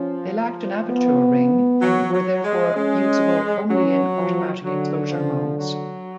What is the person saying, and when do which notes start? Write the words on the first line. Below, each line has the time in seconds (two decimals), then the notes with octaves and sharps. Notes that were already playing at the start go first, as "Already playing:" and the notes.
They lacked an aperture ring, and were therefore usable only in automatic-exposure modes.
Already playing: F3 C#4
0.88 B3
1.81 F#3
2.13 F#3
2.44 G#3
2.76 G#3 C#4
3.70 F#3 C#4
4.17 F3
4.64 D3 F#3
5.11 F3
5.58 F#3